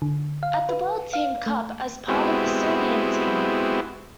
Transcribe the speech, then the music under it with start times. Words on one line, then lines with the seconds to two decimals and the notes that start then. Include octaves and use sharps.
At the World Team Cup as a part of the Serbian team.
0.02 D3
0.43 F5
0.69 B4
1.13 F5
1.46 A3
2.08 G#3 B3 C4 E4 F#4 G4